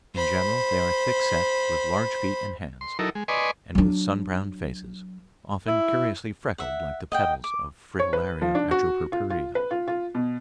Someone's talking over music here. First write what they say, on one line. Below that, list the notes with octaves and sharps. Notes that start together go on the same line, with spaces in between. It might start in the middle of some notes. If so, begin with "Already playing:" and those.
In general they are thickset, with large feet and hands, and with sun-browned faces, often curiously freckled like the petals of Fritillaria atropurpurea.
C5 B5
C6
F#3 D#4 E4 A4 A#4
G#3
B4 D5 D#5 G#5 C6 C#6
F#3 D4
E4
E5 F#5
D#5 F#5 G5
D6
C#5
B4
F3
D4
F#4
F4
F4
B4
F4
F4
B2